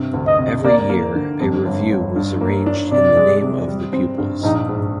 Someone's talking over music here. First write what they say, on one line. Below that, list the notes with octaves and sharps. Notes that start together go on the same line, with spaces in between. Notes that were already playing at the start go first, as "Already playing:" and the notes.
Every year, a revue was arranged in the name of the pupils.
Already playing: G2 C3
D2
D#5
C3
A#3 D5
A#3
D3
F2
G1
G1
G2
A#3
D4
C3 D5
G#3
C3
G3
C4
G2
A#1 D#4
G#2